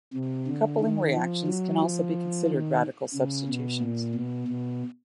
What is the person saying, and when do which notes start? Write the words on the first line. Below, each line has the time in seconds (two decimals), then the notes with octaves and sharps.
Coupling reactions can also be considered radical substitutions.
0.14 C3
0.48 D3
0.80 D#3
1.14 F3
1.47 F#3
1.81 F3
2.47 D#3
3.14 C#3
3.48 B2
3.80 A#2
4.15 B2
4.48 B2